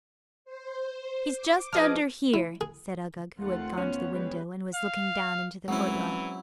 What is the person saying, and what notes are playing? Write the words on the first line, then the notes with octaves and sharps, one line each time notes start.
"He's just under here," said Uggug, who had gone to the window, and was looking down into the court-yard.
C5
D6
F3 G#4 B4 C5 D#5 F6
E4
G#4
D#2 A3 C4 F4 F#5
B3 C#4 C#5
G3 G#3 G#4 B4
F5
E3 F#3 G#3 C4 C#4 E4